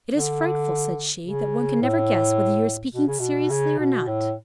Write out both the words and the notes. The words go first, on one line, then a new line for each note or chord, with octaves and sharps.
"It is frightful," said she, "that one can never guess whether you are speaking seriously or not."
D3
C#3
A2
B2
C#3
B2
C#3
B2
A2